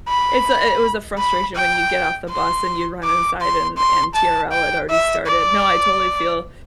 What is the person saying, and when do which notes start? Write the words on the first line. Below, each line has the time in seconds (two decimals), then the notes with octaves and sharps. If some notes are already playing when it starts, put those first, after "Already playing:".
It's a i it was a frustration when you get off the bus and you'd run inside and and TRL had already started. No, I totally feel
0.08 B5
1.18 B5
1.55 G5
2.30 C6
3.04 D6
3.41 C6
3.78 C6
4.15 A5
4.51 G5
4.89 E5
5.26 D5